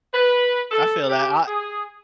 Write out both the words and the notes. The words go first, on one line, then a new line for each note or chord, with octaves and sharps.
I feel that. I
B4
A4
G4
G#4